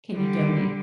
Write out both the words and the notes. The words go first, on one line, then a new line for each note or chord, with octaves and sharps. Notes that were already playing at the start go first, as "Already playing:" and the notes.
"Can you donate"
D3 G3